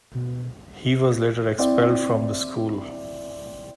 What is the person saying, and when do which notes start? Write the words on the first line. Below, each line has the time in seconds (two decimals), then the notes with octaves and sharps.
He was later expelled from the school.
0.14 B2
1.58 C4 E4 D5